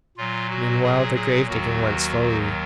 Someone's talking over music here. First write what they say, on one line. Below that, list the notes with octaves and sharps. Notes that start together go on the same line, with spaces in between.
Meanwhile the grave digging went slowly.
A#2 F#3 F4
F#4
G#4
G#4
D#2 D#3 F#3 F#4